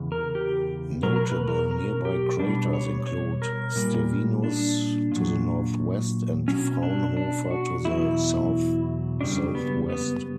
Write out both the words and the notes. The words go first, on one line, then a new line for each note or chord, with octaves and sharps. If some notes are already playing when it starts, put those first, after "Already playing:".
Notable nearby craters include Stevinus to the northwest and Fraunhofer to the south-southwest.
Already playing: E2 C#3
A#4
G4
B2 F#3 A#4
A#4
B4
A#4
A#4
G4
B2 G3 D4
C#5
C#5
A#4
A#2 G3
D4
A#2 F#3
B2 F#3 C#4
D4
D4
F#4
E2 B2 F#3 E4
F#2 C#3 G3 D4
B3
B3